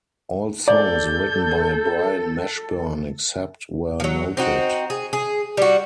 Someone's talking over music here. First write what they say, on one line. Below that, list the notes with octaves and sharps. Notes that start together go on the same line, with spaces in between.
All songs written by Brian Mashburn except where noted.
A4 D5 G6
F3 F#3
C4 D#4 F#4
G#4
G#4
G3 F#4